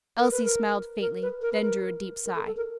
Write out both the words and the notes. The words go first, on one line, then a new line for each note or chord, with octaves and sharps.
Elsie smiled faintly, then drew a deep sigh.
A#4
B4
A#4
A#4
B4
A#4
B4
A#4
A#4
A4
A4
A#4